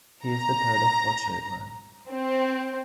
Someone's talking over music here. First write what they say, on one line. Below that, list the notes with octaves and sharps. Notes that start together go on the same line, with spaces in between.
He is the third of four children.
A#5
C4